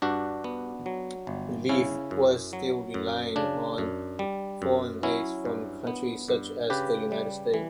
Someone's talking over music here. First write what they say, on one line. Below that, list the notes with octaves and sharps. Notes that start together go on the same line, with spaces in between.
Relief was still relying on foreign aid from countries such as the United States.
G2 D4 F#4
B3
F#3
G1
C#3 C#4 E4
F#2
F#3
F#2
C#3 D4
F#2
G3
F#2
F#3 C#4 E4
G2
B3
G2
C#3 G4 B4
G3
E3